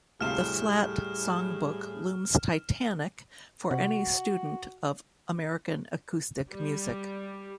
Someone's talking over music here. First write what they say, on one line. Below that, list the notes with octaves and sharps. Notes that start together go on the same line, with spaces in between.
The Flatt songbook looms titanic for any student of American acoustic music.
D2 A2 C3 G3 G#4 F5 F6 E7
C3 F#4
G3